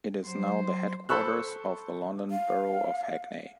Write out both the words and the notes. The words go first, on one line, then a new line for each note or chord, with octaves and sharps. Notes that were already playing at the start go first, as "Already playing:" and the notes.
It is now the headquarters of the London Borough of Hackney.
F#3 C5
A4 C5 B5 C#6 E6 F#6
F5